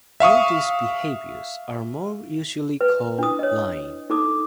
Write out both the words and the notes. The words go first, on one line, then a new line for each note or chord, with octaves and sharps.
All these behaviors are more usually called lying.
E5 F5 C#6 D#6
B4
D4 E4 D#6
C#5 D#5
D#4 A4 D6 D#6